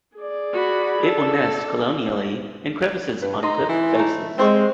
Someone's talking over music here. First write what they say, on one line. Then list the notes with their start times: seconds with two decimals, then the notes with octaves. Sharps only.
It will also nest colonially in crevices on cliff faces.
0.18 G#4 D5
0.53 F#4 B5
1.01 A4
3.22 G2 B4
3.43 D#4 D#5 C6
3.69 E3
3.95 A3 D#4
4.38 G3 G#3 C4 C5 C#6